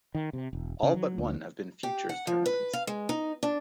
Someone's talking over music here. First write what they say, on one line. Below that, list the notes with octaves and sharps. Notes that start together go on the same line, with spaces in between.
All but one have been Futures tournaments.
D#3
C3
E1
C#3
F#3
D2
G4
F#5
F3
B4
F5
G#3
D#4
D4